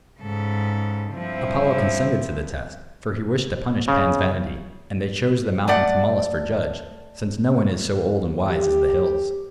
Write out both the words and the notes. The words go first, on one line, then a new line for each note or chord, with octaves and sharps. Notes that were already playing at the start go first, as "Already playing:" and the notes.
Apollo consented to the test, for he wished to punish Pan's vanity, and they chose the mountain Tmolus for judge, since no one is so old and wise as the hills.
G#2 C#3 A4
G2 F3 C4 E4 E5
C#3
A3 D5 F#5
G4